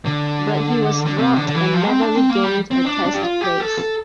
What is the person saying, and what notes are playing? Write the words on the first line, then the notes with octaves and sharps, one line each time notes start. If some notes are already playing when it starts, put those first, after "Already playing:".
But he was dropped and never regained a Test place.
D3
D3
C3
D3
D3
E3
F3
C4
D4
C4
A#3
G3
C4
D4
D4
G4
F4
G4
A4
A4